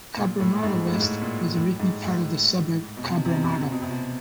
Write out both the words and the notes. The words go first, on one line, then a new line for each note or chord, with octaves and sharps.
Cabramatta West was originally a part of the suburb Cabramatta.
A#2
A2
G#2
A2
G#2
A2
A#2
A2
G#2
A2
B2
C3
B2
C3
B2
C3
B2
C3
B2
C3
B2